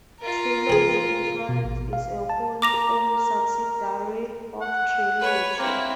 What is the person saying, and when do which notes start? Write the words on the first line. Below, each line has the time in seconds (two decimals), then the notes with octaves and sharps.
Trilogy Insurance is a wholly owned subsidiary of Trilogy.
0.20 F4 A#4
0.70 C4 G#4
1.49 B2
1.65 A1
1.93 F5
2.30 A5
2.62 A#4 D6 A#6 F7
4.62 F#5
5.20 B4 C#5
5.59 A#3 C4 E4